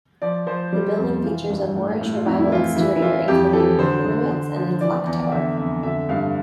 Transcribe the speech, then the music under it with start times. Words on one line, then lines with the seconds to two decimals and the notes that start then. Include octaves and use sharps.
The building features a Moorish Revival exterior, including minarets and a clock tower.
0.22 F3 D5
0.47 F3 C5
0.72 G3
0.98 F2
1.24 E3 F4
1.50 G2
1.75 A2
2.01 A2
2.14 F4
2.26 F2 E4
2.39 E4
2.52 E3 F4
2.76 E3 E4
2.96 E4
3.02 E3 F4
3.28 F2 G4
3.53 E3 A4
3.79 D3 C5
4.05 D3
4.31 D3
4.56 F3
4.81 E3 D5
5.06 E2
5.22 D5
5.32 D3 E5
5.57 F2 E5
5.83 D3 E5
6.09 G2 F5